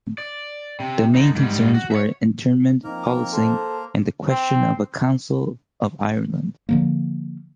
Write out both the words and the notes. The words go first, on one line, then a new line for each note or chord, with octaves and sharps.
The main concerns were internment, policing and the question of a Council of Ireland.
D5
C3
D3 D#4
G#2 G3
F#4
C#5 E5
F3 A#3 C4 D#4 A#4
A4 C5
C4
D3 F3 A#3